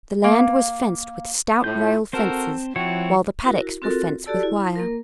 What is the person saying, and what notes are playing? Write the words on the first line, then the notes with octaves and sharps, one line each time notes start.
The land was fenced with stout rail fences while the paddocks were fenced with wire.
A#3
A2 F4 G6
C4 F#4 A4 A#4 C5 A5
F3 C4 E4 F#4 C#5
E4 F#4 A#4
C4 F4 F#4 A4 A#4
F#4 G4 A4 D5 A5 E6
E4
A#3 A#4